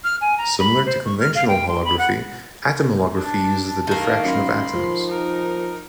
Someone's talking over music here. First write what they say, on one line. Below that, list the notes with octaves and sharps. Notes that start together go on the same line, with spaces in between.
Similar to conventional holography, atom holography uses the diffraction of atoms.
F6
G#5
A#5
B5
C5
C#6
F6
F5
G5
C6
B5
F#5
D4 A5
D#3 A3 A#3
F#2 B5 C6
F3
D#4 A#4